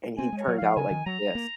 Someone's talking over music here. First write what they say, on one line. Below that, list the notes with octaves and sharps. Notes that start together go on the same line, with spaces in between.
And he turned out like this.
C4 G#5
G#3 C#5
F#3
F3 F5
C#3 G#5
D#3
F#3 A#5
A#3